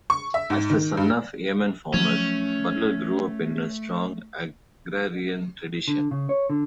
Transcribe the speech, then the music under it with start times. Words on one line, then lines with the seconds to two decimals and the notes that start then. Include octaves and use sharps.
As the son of yeoman farmers, Butler grew up in a strong agrarian tradition.
0.10 C#6
0.34 E5
0.50 G#2
0.70 D#3
0.97 G2
1.94 F3 F#3 A3 C#4
5.88 D3
6.11 C#3
6.29 C#5
6.50 D3